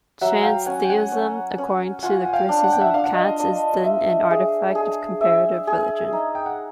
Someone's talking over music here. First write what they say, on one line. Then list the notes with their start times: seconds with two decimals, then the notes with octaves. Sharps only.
"Transtheism", according to the criticism of Katz, is then an artifact of comparative religion.
0.21 F#3 E5 F#5
0.44 F5 G5
0.66 C#4 F#5 G#5
0.84 G5
0.90 F#5 G#5
1.12 C#4
1.58 C#4
2.03 F4 F#5 G#5
2.25 G#5
2.33 F5 G5
2.49 D4
2.64 F#5
2.73 G5
2.81 E5 F#5
2.94 D4 F5
3.04 F#5
3.14 D#5 F5
3.40 D4
3.84 E5
4.31 G#4
4.75 G#4
5.21 E5
5.67 G#4
6.13 D#4
6.35 G5
6.46 F#5